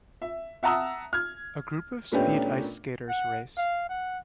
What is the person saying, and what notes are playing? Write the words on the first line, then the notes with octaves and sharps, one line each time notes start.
A group of speed ice skaters race.
E5
E5 F#5 A5 A#5 D#6 E6
F6 G#6
A#2 A3 B3 C#4 D4 G4
F#5
F5
F#5